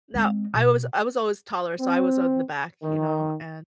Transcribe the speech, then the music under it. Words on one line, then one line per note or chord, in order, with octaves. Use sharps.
Now, I was I was always taller, so I was on the back, you know, and
G#3 C4
B2
C4
D#3